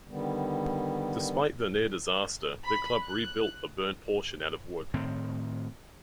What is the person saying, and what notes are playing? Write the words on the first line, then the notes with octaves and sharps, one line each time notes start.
Despite that near-disaster, the club rebuilt the burnt portion out of wood.
D3 D#3 G3 B3
B5
F#6
A2 D#3 C4